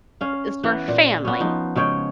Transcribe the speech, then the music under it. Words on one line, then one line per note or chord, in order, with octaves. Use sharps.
is for family.
C#4 F5
E3 B3 F#5
A#2
B3 C#4
F3 D#4
C#3 G#3 C#5 G5